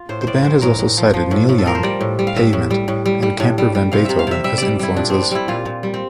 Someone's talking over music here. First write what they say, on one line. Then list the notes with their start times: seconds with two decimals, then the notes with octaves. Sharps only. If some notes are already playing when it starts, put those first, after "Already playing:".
The band has also cited Neil Young, Pavement, and Camper Van Beethoven as influences.
Already playing: F4
0.09 A2 C5
0.22 C5
0.27 A2 D5
0.44 E3 C5
0.61 A2 A#4
0.79 A2
0.97 F3
1.14 F3
1.31 A2
1.49 A2
1.58 A4
1.66 F3 A#4
1.75 C5
1.83 G3 D5
2.01 A2
2.19 G3
2.27 F5
2.36 A2 E5
2.53 A2
2.71 G3
2.88 A2
3.06 G3
3.23 G3
3.40 A2
3.58 G3
3.75 G3
3.92 C3 F5
4.05 C3 E5
4.19 F5
4.27 C3 E5
4.44 G3 E5
4.58 G3 D5
4.79 G3 E4
4.96 A#2 D4
5.10 G3 C4
5.22 D4
5.31 G3 E4
5.48 A#2 F4
5.66 A#2
5.83 G3
5.94 C4